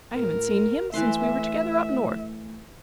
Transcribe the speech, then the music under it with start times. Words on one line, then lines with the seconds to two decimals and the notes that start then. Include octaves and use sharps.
I haven't seen him since we were together up North.
0.14 A2 A#4
0.94 E3 A3 B4 E5 C6